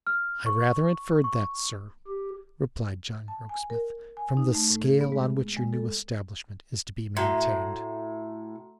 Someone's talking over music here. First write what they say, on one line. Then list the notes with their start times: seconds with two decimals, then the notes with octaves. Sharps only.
'I rather inferred that, sir,' replied John Rokesmith, 'from the scale on which your new establishment is to be maintained.'
0.07 F6
0.46 C#6
1.24 C#6
2.08 G4
3.28 A5
3.49 G#5
3.70 A#4
4.17 G#5
4.37 D#4
4.55 A3
4.70 A2
4.84 G#4
5.01 B3
5.12 G#3
5.57 G#3
5.73 A4
7.17 A2 F#4 A#5 C6